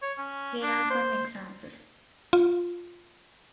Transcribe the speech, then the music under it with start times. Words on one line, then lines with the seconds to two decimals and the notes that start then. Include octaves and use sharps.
Here are some examples.
0.02 C#5
0.18 C#4
0.62 D4
0.90 C5
2.33 F4